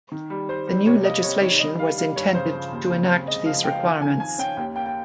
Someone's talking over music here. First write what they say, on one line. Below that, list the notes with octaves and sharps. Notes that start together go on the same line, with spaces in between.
Th new legislation was intended to enact these requirements.
D#3
G3
G3 C5
G3
C3 C#5
A#3 D#5
C3 C#5
D#3 C#5
G3 D#5
G3 F5
G3 F5
G2 C#5
C#3 C5
F3
D#2
C#3
C4
G#3 D#5
F3 F5
F3 G5
D#3
D#3 G#5
D#3 G#5
C#4 G5
D#2 G5
A#3 G5
G5